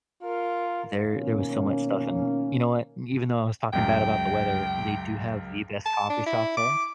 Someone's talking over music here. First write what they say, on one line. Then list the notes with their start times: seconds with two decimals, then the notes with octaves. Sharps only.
there there was so much stuff, and you know what? Even though I was talking bad about the weather, they do have the best coffee shop there.
0.23 F4 A#4
1.14 B2 D#3 F3 A#3 C#4
3.73 C#2 F#2 G5
5.85 A5
6.10 D4
6.26 E4
6.57 D6